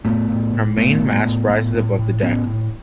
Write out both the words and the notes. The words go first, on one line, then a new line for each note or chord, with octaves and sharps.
Her main mast rises above the deck.
A2 A3 B3
A2
A2
A2 A3 B3
A2
A2
A2
A2
A2
A2 B3 C#4
A2